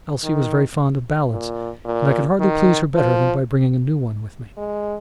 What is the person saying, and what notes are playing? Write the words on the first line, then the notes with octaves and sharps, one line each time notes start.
Elsie was very fond of ballads, and I could hardly please her better than by bringing a new one with me.
D#3
A#2
A#2
D#3
F3
G#3